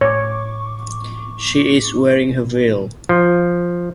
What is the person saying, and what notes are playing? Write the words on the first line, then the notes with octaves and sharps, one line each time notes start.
She is wearing her veil.
A2 C#5 C#6 D6
F3